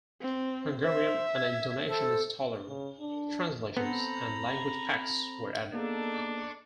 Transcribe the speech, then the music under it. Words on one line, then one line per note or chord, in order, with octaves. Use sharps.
Hungarian and Indonesian installer translations and language packs were added.
C4
C5 E5
G#6
A4 C5
C#3
D4
B3 C4 A4 A#5 B5
A#3 B3 D4 D#4 G#4 A4